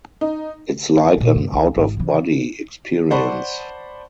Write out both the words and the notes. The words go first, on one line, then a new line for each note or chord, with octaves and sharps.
It's like an out-of-body experience.
D#4
A#2 C#3
G2
C#2 F4
G#1
C3 E3
C5 D5 F#5 A5 B5 C#6